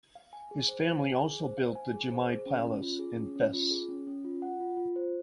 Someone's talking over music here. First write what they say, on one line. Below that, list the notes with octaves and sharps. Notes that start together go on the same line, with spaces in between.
His family also built the Jamai Palace in Fes.
F5
G#5
G#4
C5
F5
G#5
G#4
C5
F5
G#5
G#4
C5
G#4
C#4
C#4
F4
G#4
C#4
C#4
F4
G#4
C#4
C#4
F4
F#5
F4
F4
C5